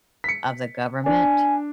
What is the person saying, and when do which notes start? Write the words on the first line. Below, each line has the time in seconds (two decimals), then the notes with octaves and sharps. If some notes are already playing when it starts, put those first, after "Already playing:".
of the government
0.24 B6 C#7
1.06 D4 G#5